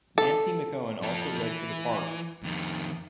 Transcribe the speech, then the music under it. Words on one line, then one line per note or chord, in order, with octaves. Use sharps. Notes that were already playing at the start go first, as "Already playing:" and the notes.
Nancy McKeon also read for the part.
A4
F3 A4
E3
F2 D#3